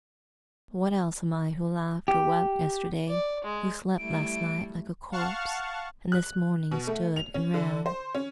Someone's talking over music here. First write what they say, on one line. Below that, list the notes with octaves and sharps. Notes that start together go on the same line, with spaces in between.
What else am I who laughed or wept yesterday, who slept last night like a corpse, and this morning stood and ran?
G4
D5
G#3
G3 A3 E4 D7
F5 F#5 A5 C#6 F6
F#6
B2
A3
F7
C#4
D3
C5
C#4